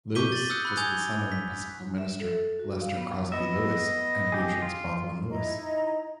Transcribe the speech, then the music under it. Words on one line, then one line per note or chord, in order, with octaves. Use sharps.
Lewis was son of Episcopal minister Leicester Crosby Lewis and Beatrix Baldwin Lewis.
C#6 D6 G6 B6 D#7 G7
A6 F#7
D#6 E6 F#6 G6 C#7
B5 F#6
G#5 D#6 G6 G#6 F7 G7
B6
E5
A4
F#4
F5
B3
B3 D#5 E5
F2 G4 G#4
F4
D#4 E4 D#5 A#5